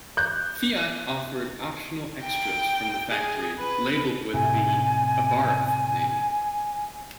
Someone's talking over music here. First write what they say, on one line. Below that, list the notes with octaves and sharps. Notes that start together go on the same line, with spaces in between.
Fiat offered optional extras from the factory labelled with the Abarth name.
F#6 G6
G5
G#4
B4
A2 C3 G#5